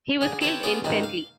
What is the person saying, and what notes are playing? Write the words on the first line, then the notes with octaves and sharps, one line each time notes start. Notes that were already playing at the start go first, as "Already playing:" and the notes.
He was killed instantly.
D3 G#4 G#5
C4 E4 G4 A4 B4 C#5
B3 C#4 F4 G#4 D5
C#2 G#2 D#3 G3 C4
F5